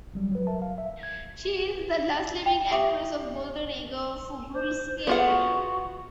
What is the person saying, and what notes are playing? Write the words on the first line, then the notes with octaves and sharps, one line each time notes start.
She is the last living actress of Golden Age of Burlesque era.
G1 F#3 G3
F#3 B4
A#4 E5 A5
F5
E5
G#6
G5
G4 E5 D6 D#6
C5
B3 F4 G#4 F#5
F#4